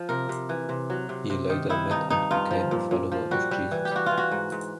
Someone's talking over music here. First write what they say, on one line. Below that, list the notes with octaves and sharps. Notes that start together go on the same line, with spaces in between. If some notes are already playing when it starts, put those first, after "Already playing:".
He later met and became a follower of Jesus.
Already playing: F3
C3 A#4
C3
E3
C3
F#3
C3
C3
D#3
D#3 E4
G2 D#4
G2 D#4
G2 F4
F3
A#2
A#2
F3
G3 F#4
G3
E3
G4
G3 F#4
E3 F4
F#4
G#2
G#2